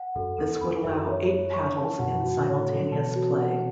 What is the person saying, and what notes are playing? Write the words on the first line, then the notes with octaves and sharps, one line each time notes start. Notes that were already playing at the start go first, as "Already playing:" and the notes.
This would allow eight paddles in simultaneous play.
Already playing: F#5
F#2 A4
E2 A4
E2 B5
F#2 E5
C#5
C#5
C#6
A5
F#2 B2 F#5
F#4
B2
A2 C#3 C#5
A4
F#3
B2 E3 A5
F#4
F#5